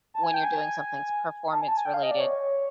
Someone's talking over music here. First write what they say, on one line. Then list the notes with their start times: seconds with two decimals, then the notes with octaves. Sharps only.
when you're doing somethings performance-related.
0.14 A5
0.24 G#5
0.34 G5
0.44 G#5
1.51 A5
1.61 G#5
1.68 A5
1.77 G#5
1.85 G5
1.94 F5
2.03 D#5
2.11 D5
2.20 C#5